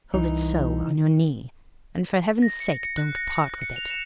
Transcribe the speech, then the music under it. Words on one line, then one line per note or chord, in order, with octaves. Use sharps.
Hold it so, on your knee; and, for Heaven's sake, don't part with it.'
C2 E3 D#4
A#6
C#7
C#7
F#6
A#6
C#7
A#6
C#7
F7
E7